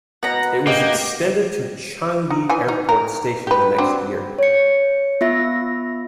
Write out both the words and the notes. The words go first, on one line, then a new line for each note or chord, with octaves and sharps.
It was extended to Changi Airport station the next year.
B2 F#5 A#5
A#3 G4 D#5 G5
D#4
E3 G#5
D#4
A#4
G4 B4
C4 D4 F#4
C#5 C#7
B3 F4 E5 A#6